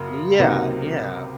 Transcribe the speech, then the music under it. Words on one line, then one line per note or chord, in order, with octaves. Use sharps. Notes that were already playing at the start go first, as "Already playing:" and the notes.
Yeah, yeah.
Already playing: F#2 C#3 F#3 A#3
C#2 C3 F#3 A#3 D#4